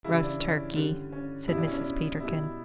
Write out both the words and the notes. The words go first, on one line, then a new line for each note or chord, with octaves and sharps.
"Roast turkey," said Mrs. Peterkin.
C#3 E3 G3 E4
D4
C#4
D3 G3
C#4
B2 G3 E4
D4
C#4
D4
B2 G3 E4